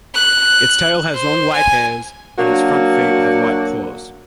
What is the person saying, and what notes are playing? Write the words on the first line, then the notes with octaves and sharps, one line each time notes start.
Its tail has long white hairs, and its front feet have white claws.
F#6
C5
G#5
F#3 A#3 D4 F#4